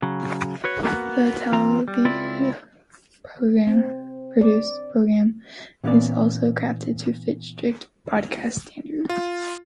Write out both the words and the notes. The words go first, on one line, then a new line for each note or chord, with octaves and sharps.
The Televisa produced programming is also crafted to fit strict broadcast standards.
C#3 F#3
F#4 B4 C#5
A#3 B3 F#4
E3 C4 F4 A#5
G3
C#2 C4 E4 F4 D5
C4
D5
A#2 E3 B3 C#4 A#4 D5
F4